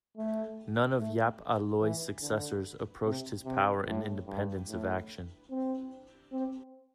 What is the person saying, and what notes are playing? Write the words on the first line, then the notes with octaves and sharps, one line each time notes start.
None of Yap Ah Loy's successors approached his power and independence of action.
A3
A3
E3
D3
C3
C3
A2
G2
A2
C4
C4